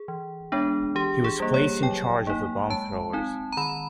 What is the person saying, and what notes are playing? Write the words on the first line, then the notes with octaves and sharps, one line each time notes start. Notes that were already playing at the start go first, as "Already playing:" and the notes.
He was placed in charge of the bombthrowers.
Already playing: G#4
E3
G#3 B3 D4
E3 G4
G#4
G3 A#3
C#5
F#3 G5
A#3 D#4
G#3 A5
C4 D#4
A#5
D#3 B5